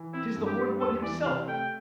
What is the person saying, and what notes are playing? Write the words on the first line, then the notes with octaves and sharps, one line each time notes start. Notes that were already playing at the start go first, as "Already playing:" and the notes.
'Tis the Horned One himself!
Already playing: E3
C4 E4
G2
G4
G3
E2 A4
E3 D5
C3 F5
A3 G5